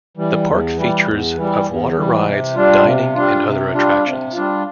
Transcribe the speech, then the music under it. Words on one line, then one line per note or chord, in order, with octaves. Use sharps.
The park features of water rides, dining, and other attractions.
E3 G3
E2
E3 G3
E2
E3 G3
E2
E3 G3
C3
G3 D4 F4
C3
G3 D4 F4
C3
G3 D4 F4
C3
G3 D4 F4